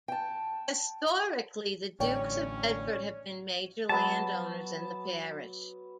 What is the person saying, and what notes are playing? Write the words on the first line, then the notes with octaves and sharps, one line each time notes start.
Historically, the Dukes of Bedford have been major land owners in the parish.
G5 A5
A1 A2 D3 C#4 C#5 D5 G5 C#6
F#3 B3 B4 A5